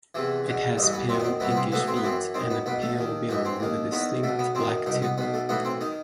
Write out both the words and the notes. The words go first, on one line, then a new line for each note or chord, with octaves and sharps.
It has pale pinkish feet, and a pale bill with a distinct black tip.
E2 C3 E3
E2 B2
A1 G2 E3 D#4
B3
F#2 D#3 C4
B3
C4
C2 C3 E3 B3
B3
C4
B1 A2 E3 B3
C4
B3
F#2 E3 C4
F#2 D#3 C4
B3
B1 B2 B3
A3
D#2 D#3
F#2 E3 D#4
C4
D#2 D#3
E2 D#3 B3
B1 B2 A3
B3
F#2 D#3 C4
C2 B2 D#4
B3
B1 B2 B3
A3
B1 A2 E3 B3
C4
D#3 D#4